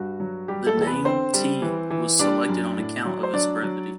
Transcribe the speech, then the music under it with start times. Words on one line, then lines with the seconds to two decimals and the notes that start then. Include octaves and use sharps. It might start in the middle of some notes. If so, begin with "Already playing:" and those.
The name "Tea" was selected on account of its brevity.
Already playing: G2 F#4
0.20 F#3
0.48 G3 G4
0.67 A3 A4
0.77 E2 A4
0.87 B3 B4
1.05 D3 C4 C5
1.33 G3
1.62 E3
1.91 E3
2.19 G3 D4 D5
2.49 F#2
2.77 A2
3.05 F#3
3.23 C5
3.33 F#3 D4 D5
3.63 F#3